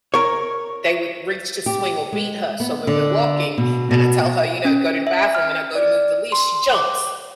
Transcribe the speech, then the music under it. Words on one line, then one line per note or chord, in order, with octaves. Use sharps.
they would reach to swing or beat her, so when we're walking and I tell her, you know, go to the bathroom and I go to move the leash, she jumps,
A#4 C#5
G4
G#3
B3
D3
B2
B2
C#4
E5
F6
D5
C6
D6